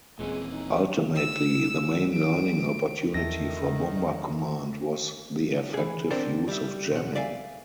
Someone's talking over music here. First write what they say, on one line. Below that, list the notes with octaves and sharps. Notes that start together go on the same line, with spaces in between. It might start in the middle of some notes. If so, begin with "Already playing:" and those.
Ultimately the main learning opportunity for Bomber Command was the effective use of jamming.
D#1 A#2 E3 G#3 C4 C#4
D#4
E6
D7
E2 D#3 E4 A4 G5 A#6
E3 G#4
C4 D4 A#4 C5 D5 F#5
G3 E5
B1 F#5
D5 E5 F5 G#5